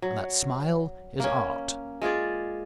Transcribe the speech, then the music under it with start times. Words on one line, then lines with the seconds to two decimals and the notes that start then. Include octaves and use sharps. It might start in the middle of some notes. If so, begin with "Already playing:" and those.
And that smile is art.
0.02 F#3
1.20 A#3 C#4
2.02 G#3 F4 G#4 D5